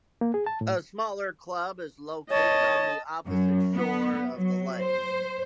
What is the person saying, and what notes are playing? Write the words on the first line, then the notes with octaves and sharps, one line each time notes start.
A smaller club is located on the opposite shore of the lake.
A#3
G#4
A5
A2
C#5 D#5 A5
F#2
B3
F#3
C5